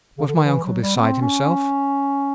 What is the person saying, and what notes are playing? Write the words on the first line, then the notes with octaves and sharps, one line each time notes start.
Was my uncle beside himself?
C#3
D3
D#3
E3
F#3
G3
B3
C4
C#4